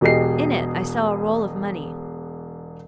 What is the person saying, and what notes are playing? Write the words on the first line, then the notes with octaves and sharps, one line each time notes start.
In it I saw a roll of money.
E1 B2 G4 G#4 D#5 C7